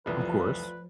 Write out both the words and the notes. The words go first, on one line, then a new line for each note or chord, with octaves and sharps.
Of course.
F1 C2 E3 F3 F4 B4 D5